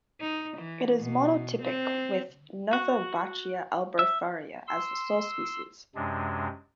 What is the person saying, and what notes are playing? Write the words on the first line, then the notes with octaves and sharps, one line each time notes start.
It is monotypic with "Nothobachia ablephara" as the sole species.
D#4
E3
B2
C4
F#4
E5
C6 E6
F#2 C3 G#3 D4